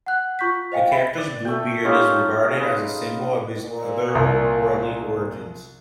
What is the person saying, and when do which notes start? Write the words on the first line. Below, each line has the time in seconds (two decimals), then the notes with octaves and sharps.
The character's blue beard is regarded as a symbol of his otherworldly origins.
0.06 F#5 F#6
0.39 F4 C#6 G6 B6
0.72 C5 D#5 F5 G5 G#5
0.91 E5 B5
1.18 D5
1.45 A3 G5
1.84 C#4 D#4 F4 G4
2.56 G#4 B4
3.64 A#2
4.15 C2